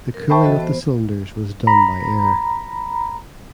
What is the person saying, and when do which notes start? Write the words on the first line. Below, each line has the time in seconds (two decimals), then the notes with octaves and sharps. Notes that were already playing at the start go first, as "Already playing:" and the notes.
The cooling of the cylinders was done by air.
0.14 A#4
0.30 C5 E5 G5 A5 B5 C#6
0.44 E3 F#4 A4 D#5
0.59 B3 C5
1.67 A#5 B5